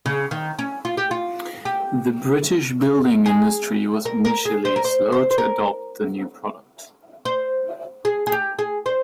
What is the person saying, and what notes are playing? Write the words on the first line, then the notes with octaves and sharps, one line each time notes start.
The British building industry was initially slow to adopt the new product.
C#3
D#3
C#4
F4
G4
F4
G4
G#4
A#4
A#4
G#4
C5
A#4
C5
C5
C5
A#4
C5
G#4
G#4
G4
G#4
C5